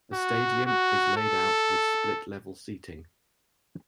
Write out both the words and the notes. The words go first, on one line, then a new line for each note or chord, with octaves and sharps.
The stadium is laid out with split-level seating.
F#4
F#4
A4